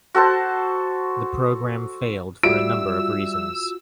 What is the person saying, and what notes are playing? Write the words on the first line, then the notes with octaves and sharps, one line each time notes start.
The program failed for a number of reasons.
F#4 A4 C5 A5
G3 F4 F#4 E5 E6 D7